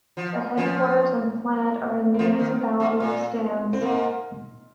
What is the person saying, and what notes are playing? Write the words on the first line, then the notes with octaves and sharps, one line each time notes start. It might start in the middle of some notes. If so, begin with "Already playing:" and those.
The headquarters and plant are in the municipality of Stans.
F3
F3 C#4
A#3
F3 C4
D#3
G#2
A#2
C4
G#2 A#3